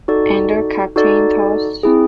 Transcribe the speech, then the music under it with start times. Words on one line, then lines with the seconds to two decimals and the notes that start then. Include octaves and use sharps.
Under Captain Thos.
0.08 D#4 F#4 A4 D5
0.96 D#4 F#4 A4 D5
1.83 C4 E4 G#4